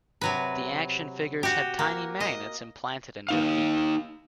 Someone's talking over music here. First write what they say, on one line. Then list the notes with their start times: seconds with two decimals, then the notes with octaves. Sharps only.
The action figures had tiny magnets implanted in their feet.
0.21 C3 F#3 B4
1.43 F#4 G4
1.79 A#3
2.20 D#5
3.29 A#3 D#4 F5